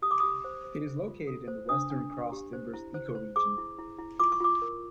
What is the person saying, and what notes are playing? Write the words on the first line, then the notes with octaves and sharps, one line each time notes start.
It is located in the Western Cross Timbers Ecoregion.
G4 D#6
D6
G4 D#6
C5
C5
C5
F4
A4
C5
D4 D#6
D4
D4
G4
C5
E4
C5
C5
G#4 D6
E4
E4
E4
F4 D6
C#6
F4 D6
A#4